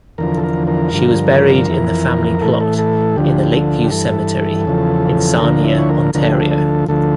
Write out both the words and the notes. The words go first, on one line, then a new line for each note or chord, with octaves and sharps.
She was buried in the family plot in the Lakeview Cemetery in Sarnia, Ontario.
E2 D3 F3 A#4
A4
A#4
A#4
G2 D3 F3
F2 E3
A2 E3 A4
A#4
A4
A4
D2 D3 F3 G4
A4
G4
G2 E3 A4
E2 C#3 F3
D2 D3 F3 A#4
E4
C#5
A#4
D2 D3 F3 A#4
A4
G4
A4
A4
D2 D3 F3 A4